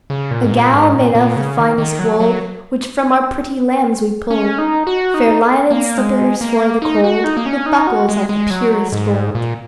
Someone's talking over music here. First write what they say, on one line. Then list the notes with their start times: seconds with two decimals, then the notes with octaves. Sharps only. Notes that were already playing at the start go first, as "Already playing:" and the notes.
A gown made of the finest wool, Which from our pretty lambs we pull, Fair-lined slippers for the cold, With buckles of the purest gold.
0.10 C#3
0.31 A#2
0.44 G#2
0.52 A#2
0.73 G#2
0.95 A#2
1.15 A#2
1.36 C#3
1.57 D#3
1.78 D#3
1.99 F#3
2.20 F#3
4.31 C#4
4.58 D#4
4.87 F#4
5.14 D#4
5.71 A#3
5.98 G#3
6.41 A#3
6.82 D#4
7.04 F#4
7.24 D#4
7.37 A#3
7.46 C#4
7.66 D#4
7.87 F#4
8.09 G#3
8.29 G#3
8.50 F#3
8.92 G#2
9.35 A#2